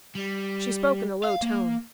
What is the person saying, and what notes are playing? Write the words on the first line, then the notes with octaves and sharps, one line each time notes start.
She spoke in a low tone.
G3
F5
A#3